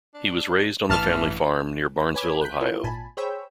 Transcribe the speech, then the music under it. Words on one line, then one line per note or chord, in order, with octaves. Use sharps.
He was raised on the family farm near Barnesville, Ohio.
D4
A1 G2 E3 A5 F6
B4 C#5 G#5 B5 D6 G#6
F#6 G6 B6
E4 F4 A4 A#4 C#5
G#1 A#2 G#5 A5 B5
G#4 C5 C#5 G5 B5 E6